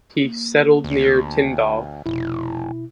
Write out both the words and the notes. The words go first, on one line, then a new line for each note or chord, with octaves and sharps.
He settled near Tyndall.
A#3
D2
F1 B2 E4